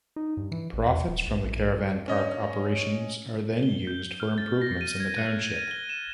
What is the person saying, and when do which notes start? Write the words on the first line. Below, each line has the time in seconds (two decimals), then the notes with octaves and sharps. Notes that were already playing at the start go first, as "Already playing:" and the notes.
Profits from the caravan park operations are then used for improvements in the township.
0.16 D#4
0.37 G2
0.52 E3
0.73 A1
0.86 E2
1.07 D#1
1.27 B1
1.44 A#1
1.77 G2
2.08 C#4 D#5
3.63 G7
3.87 G6
4.20 F6
4.38 A6
4.62 A#6
4.81 D#7
5.00 G#6
5.17 F#6
5.56 D#7
5.71 G7
5.89 E7